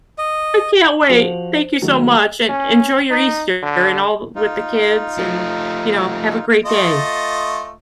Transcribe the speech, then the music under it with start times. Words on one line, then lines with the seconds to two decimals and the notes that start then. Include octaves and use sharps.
can't wait. Thank you so much, and enjoy your Easter and all with the kids, and, you know, have a great day.
0.18 D#5
1.09 F3 F#4 C5 F7 F#7
1.82 D#3 F#3 A3
2.49 C#4
3.11 D#4
3.63 D3
4.35 D#4 F4
5.18 F3 A3
6.66 A3 F4 D#5